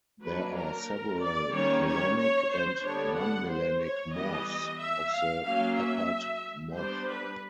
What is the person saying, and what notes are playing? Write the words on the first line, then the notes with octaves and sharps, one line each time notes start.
There are several melanic and non-melanic morphs of the peppered moth.
F#3 A#3 D4 B4
A#4
D5
D#3 G3 A#3 C#4 C#5
C#5
C#5
C5
D3 G3 B3 D4 C#5
F#5
C5
C#5
E3 G3 B3 D#5
E5
F5
F#3 A#3 C#4 F5
E5
G3 B3 D4 C5
B4